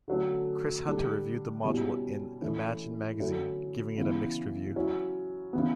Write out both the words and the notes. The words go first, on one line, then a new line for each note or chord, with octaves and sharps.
Chris Hunter reviewed the module in "Imagine" magazine, giving it a mixed review.
D3 F#3 A3 C#4
D3 G3 D4
B2 G3 C#4 E4
E3 A3 C#4 E4
D3 F#3 A3 C#4 E4
C#3 E3 B3 E4
F#3 C#4 E4
C#3 E3 B3